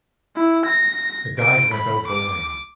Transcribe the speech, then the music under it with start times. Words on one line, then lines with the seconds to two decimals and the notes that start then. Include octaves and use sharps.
The guys went out bowling.
0.36 E4
0.66 A#6
1.39 D7
1.73 B5
2.07 D6